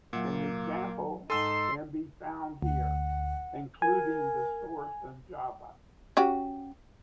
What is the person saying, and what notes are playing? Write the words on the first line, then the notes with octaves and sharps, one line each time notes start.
An example can be found here, including the source in Java.
A#2 F#3 A#3 E5 F#5
G#2 D#4 A4 F#5 G#5 C6 E6
D2 F#5
A#4 G#5
C#4 F#4 G4